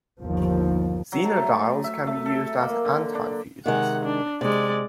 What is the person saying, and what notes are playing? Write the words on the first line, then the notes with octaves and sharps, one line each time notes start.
Zener diodes can be used as antifuses.
G1 D#2 F3
F#3
A5
A3
E5
A3
A4
A#3
D3
D4
C3 D#3 G#3 F#5
D4
C3 G#3 D5